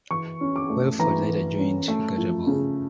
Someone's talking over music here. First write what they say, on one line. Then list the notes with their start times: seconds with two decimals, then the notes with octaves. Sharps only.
Wellford later joined Gutterball.
0.11 E3 C#6
0.41 C#4
0.56 D6
0.70 A3
0.99 E3 A#5
1.29 E3
1.59 C#4
1.88 A3
2.18 F3
2.47 C#3